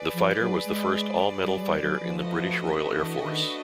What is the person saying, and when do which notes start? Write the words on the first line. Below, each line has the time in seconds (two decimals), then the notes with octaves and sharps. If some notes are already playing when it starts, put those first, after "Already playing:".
The fighter was the first all-metal fighter in the British Royal Air Force.
Already playing: G#4 B4 D5
0.14 F3
0.40 F#3
0.65 G#3
1.43 G3
1.57 F#3
1.62 G3
1.82 F#3
2.01 F3
2.21 A3 D4 F#4 B4 D#5
2.98 E3
3.24 D#3